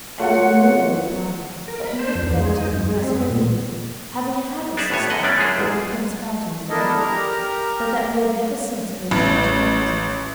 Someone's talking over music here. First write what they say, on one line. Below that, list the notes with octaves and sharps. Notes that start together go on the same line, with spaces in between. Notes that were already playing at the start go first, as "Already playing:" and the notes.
And Nennillo replied, that he recollected, as a dream, having had a sister when the Prince found him in the wood, but that he had never since heard any tidings of her.
F#2 C#3 F4 F#4 F#5
A#4
B5
C5
F2
E2
G#3
D#4
F#2
G#3
C4
B3
A#2
D4 D#4 G#4 D5 E5
G#1 A2 B3 C#5 G#5
F#2 D#5 F#5
A3 B3 C#4 D4 D5
F#2 G#3 F4 G#4 C5
A1 F#2
B3 D4 E4 A4 A#4 D#5
G4 A#4 A#5
A1